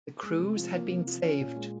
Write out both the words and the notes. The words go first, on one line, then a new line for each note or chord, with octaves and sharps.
The crews had been saved.
G#3
C3
F3
A#3
C3
F3
C#4
A#2
G#3